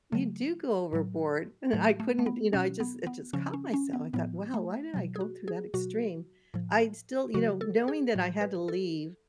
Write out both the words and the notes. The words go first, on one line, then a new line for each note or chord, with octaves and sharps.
you do go overboard," and then I couldn't you know, I just it just caught myself. I thought, "Wow, why did I go through that extreme?" I'd still, you know knowing that I had to leave,
C#3 F#3 A3
A2 F#3
A2 F#3 A3
A3
A3
B3
B2 F#3 C#4
B3
B3
C#3 F3 C#4
C#4
C#4
B3
A2 F3 B3
A3
B2 F#3
G#4
F#4
G#4
B2 F#3 F#4
A2 F3
C#3 F#3 F#4
A4
G#4
A2 F#3
B4
A4